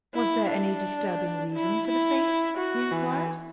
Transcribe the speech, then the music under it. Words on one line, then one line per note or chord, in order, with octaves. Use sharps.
"Was there any disturbing reason for the faint?" he inquired.
E4
D4
E4
E4
F#4
E3